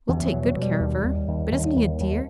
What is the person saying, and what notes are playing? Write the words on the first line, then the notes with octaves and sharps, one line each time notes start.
We'll take good care of her. But isn't he a dear?
E2 E3
F#3
B2
F#3
B2 F#3
G3
D#2
D#2
D#2
D#2
D#2
D#2